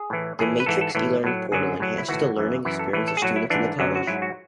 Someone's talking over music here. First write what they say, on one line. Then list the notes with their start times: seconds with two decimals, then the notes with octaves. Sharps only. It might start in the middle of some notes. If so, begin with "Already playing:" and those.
The Matrix E-learning Portal enhances the learning experience of students in the college.
Already playing: G#4
0.10 A2 E3
0.39 A2 E3 G#4
0.60 B4
0.66 G#2 E3 A4
0.81 A4
0.95 A2 E3
1.24 A2 F#3
1.52 F#2 D3 F#3 G#4
1.80 A2 F#3
1.98 E4
2.08 A2 E3 F#4
2.36 F#2 E3
2.65 F#2 E3 E4
2.79 A4
2.93 A2 E3 B4
3.08 A4
3.17 G#4
3.22 A2 F#3 F#4
3.36 E4
3.50 G#2 E3 D4
3.79 F#2 D3 F#3
3.95 F#4
4.07 G#2 F#3 E4
4.22 F#4